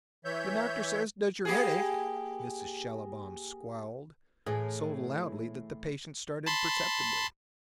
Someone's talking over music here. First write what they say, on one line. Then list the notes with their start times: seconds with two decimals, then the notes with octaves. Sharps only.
"The doctor says 'does your head ache?'" Mrs. Schallibaum squalled, so loudly that the patient started perceptibly.
0.25 E3 C#5 E5 G6
1.45 A#3 G4 G#4
4.46 A2 E3 G#4
6.46 A5 B5 C6